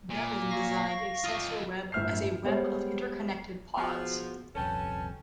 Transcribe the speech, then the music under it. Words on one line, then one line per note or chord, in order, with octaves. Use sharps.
Delin designed a sensor web as a web of interconnected pods.
A#2
F5 C#6 A#6
F4 D#5
G1 A2 E5 F6 G6 C7
G3 G#3 B3 C5 C#5
F3 B3 F#4 G#4
D#1 C2 F2 C#4 A4 B4 G5 A5